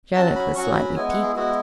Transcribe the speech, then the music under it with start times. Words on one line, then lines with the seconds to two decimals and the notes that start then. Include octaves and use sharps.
Janet was slightly piqued.
0.15 F#3 C#4 F#4 A5
0.36 B5
0.56 F#3 C#4 F#4 C#6
0.75 B5
0.96 G#3 B3 E4 G#5
1.09 F#5
1.23 G#4
1.36 G#3 B3 E4 F#4